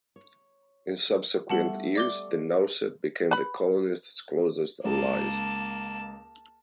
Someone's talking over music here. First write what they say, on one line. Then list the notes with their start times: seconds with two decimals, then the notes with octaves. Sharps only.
In subsequent years, the Nauset became the colonists' closest allies.
0.16 C#5
1.49 G3 A3 B3 A4 F#5 A5
1.95 D5 D6 G7
3.31 B4 B5
4.85 C#2 A#3 A5